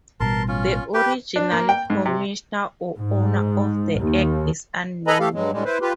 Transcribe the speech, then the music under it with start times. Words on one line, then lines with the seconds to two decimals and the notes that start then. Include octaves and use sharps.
The original commissioner or owner of the egg is unknown.
0.20 A1 B2 G3 A#4 A5 C6
0.48 C#4 F4
0.94 G4 B4 G5
1.36 D4
1.51 A#3
1.69 G5
1.90 G#2
2.06 C3
2.97 G#2
3.99 D#2
5.07 A4 B4 D#5 G#5 A#5 B5
5.20 A3 G4 A4 F5
5.34 G2 F#3 G#3
5.52 A2 D3 G3 G#3
5.65 E4 B4 C5
5.81 F4 G4 B4